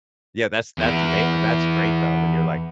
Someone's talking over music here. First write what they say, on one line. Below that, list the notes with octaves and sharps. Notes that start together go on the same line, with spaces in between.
Yeah. That's that's ama uh, that's great, though, when you're, like,
E2 E4